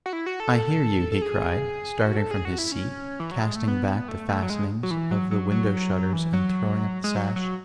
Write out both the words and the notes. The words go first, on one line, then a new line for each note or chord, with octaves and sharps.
'I hear you,' he cried, starting from his seat, casting back the fastenings of the window-shutters, and throwing up the sash.
F#4
E4
F#4
A4
A4
G#4
F#4
A4
G#4
F#4
E4
C#4
E3
F#3
G#3
A3
B3
A3
A3
F#3
G#3
F#3
E3
F#3
F#3
F#3
E3
F#3
G#3
F#3
F#3